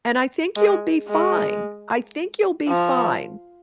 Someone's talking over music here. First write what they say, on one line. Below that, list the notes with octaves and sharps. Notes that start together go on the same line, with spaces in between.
And I think you'll be fine. I think you'll be fine.
G#3
G#3
F3